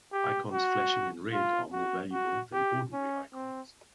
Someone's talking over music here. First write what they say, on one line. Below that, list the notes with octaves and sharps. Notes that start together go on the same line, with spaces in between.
Icons flashing in red are more valuable than ordinary icons.
G4
F#4
F4
F#4
F#4
G4
C#4
C4